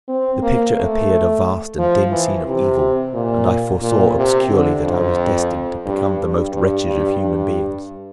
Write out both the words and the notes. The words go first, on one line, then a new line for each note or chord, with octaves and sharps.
The picture appeared a vast and dim scene of evil, and I foresaw obscurely that I was destined to become the most wretched of human beings.
C4
A#3
A3
F3
E3
C3
A#2
A#2
C3
D3
F2
G2
G2
G2
G2
G2